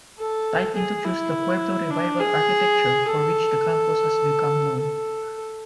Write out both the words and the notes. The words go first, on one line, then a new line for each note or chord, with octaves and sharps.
Tight introduced the Pueblo Revival architecture for which the campus has become known.
A4
G#4
E4
D4
G#4
A4
A4